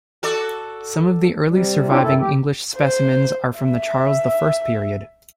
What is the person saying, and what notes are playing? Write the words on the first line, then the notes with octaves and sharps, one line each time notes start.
Some of the early surviving English specimens are from the Charles the First period.
F#4 A4 D5
C3 G3
C#4 D4 E4 F4 G4
G2 D#3 E4 A4
G4
C5
E5